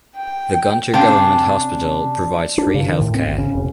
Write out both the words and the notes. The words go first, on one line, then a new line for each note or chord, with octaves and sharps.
The Guntur Government Hospital provides free healthcare.
G5
C3 C#4 D4 F5 G5
D4
C#3
D#3
A2
C4
G#1
C#3
E1